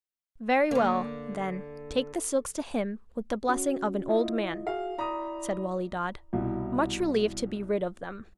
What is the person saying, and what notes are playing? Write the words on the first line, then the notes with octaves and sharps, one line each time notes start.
'Very well, then, take the silks to him, with the blessing of an old man,' said Wali Dad, much relieved to be rid of them.
D3 A#3
C#4 F#4
E4 F4 D#5
F#4 G#4 F5
E4 D5 A#5 B5 D#6
C2 B2 E4